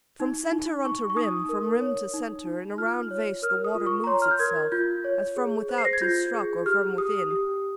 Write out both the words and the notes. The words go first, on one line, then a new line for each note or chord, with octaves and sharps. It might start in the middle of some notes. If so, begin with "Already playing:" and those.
From centre unto rim, from rim to centre, In a round vase the water moves itself, As from without 'tis struck or from within.
D#4
D#4
D#4 C#6
C#6
D#4 D#6
A#4
C#5
D#4
D#4
F4 F6
C#5
A#4 F6
D#6
F4
C#6
A#5
C#5 C6
F6
G6
A#4 G#6
F4 G6
C#5
G#4
C5
C7
A#6
G#6
F4 G6
G#4
G4 F6
G4 D#6
G4